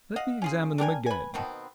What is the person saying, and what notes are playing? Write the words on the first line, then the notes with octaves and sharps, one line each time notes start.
Let me examine them again.
D#5 F5 F#5
C#4 F4 G#4
D4 G4 A#4 G#5
B4 G#5
B2 D#3 B3 C4